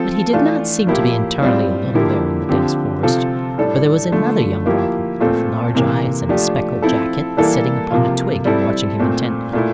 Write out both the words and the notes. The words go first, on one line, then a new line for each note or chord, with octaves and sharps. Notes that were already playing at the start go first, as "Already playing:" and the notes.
But he did not seem to be entirely alone there in the dense forest, for there was another young robin, with large eyes and a speckled jacket, sitting upon a twig and watching him intently.
Already playing: F3 C4 F4 A4
E3 A3 D4 F4
A2 F3 A#3 E4 G4
A2 G3 C4 F4
D3 F3 A#3 E4 G4
D3 F3 C4 G4
C3 F3 C4 F4 A4
A2 G3 D4 A4
D3 F3 A3
F3 A#3 E4 G4
A#2 A3 C4 F4 A4
C3 E3 A#3
F3 A3 D4 G4
F3 C4 E4 A4
E3 G3 A#3 E4 A4
C3 F3 A#3 F4
G3 C4 E4 A4
A#2 A3 C4
A#2 A3 E4